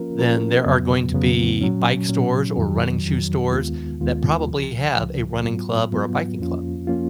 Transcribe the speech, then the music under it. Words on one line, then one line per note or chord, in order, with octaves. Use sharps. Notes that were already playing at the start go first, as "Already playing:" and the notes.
then there are going to be bike stores or running shoe stores that probably have a running club or a biking club.
Already playing: F3 A#3 C#4 F4 A#4
F3 A#3 C#4 F4 A#4
F2 C#3 F#3 B3
F2 C#3 F#3 B3
A#2 F#3 C#4
A#2 F#3 C#4
F2 D#3 F#3
F2 D#3 F#3
D#2 D#3 G#3 B3 F4
D#2 D#3 G#3 B3 F4
C#2 C#3 F3
C#2 C#3 F3
G#2 F#3 B3 F4
G#2 F#3 B3 F4
F2 F3 A#3 C#4 F4
F3 A#3 C#4 F4